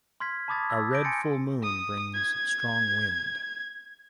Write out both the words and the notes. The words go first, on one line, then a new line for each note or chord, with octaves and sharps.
A red full moon brings strong wind.
C6 F6 G#6 B6
A5 B5 D6 D#6 G#6 A6
E6
G6 A#6 D7
G#5 C6 A6 C#7 D7
D#6
G#6